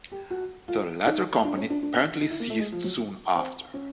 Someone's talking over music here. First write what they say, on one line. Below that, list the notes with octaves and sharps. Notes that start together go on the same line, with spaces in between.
The latter company apparently ceased soon after.
G4
F#4
F4
D#4
D4
C#4
D4
D4
D#4
E4
A#3
A3
G#3
F3
F#3
C4
C#4